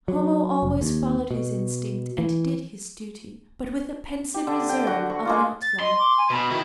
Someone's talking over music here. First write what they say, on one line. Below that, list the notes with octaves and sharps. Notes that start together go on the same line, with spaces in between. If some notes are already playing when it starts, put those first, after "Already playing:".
Homo always followed his instinct and did his duty, but with the pensive reserve of an outlaw.
F#3
F1
D#2
B2
E3
G4
D3
G5
F#4
C#6
G#3 A#3 F4
A6
D#5 C6
D6
G#5
B2 B5
D#3 E4